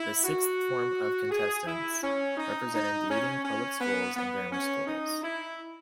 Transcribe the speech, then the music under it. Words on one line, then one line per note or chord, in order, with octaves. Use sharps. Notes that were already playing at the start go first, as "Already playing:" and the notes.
The sixth form contestants represented leading public schools and grammar schools.
Already playing: E4
F#4
G#4
E4
C#4
D#4
D#4
C#4
C#4
B3
B3
C#4
D#4
E4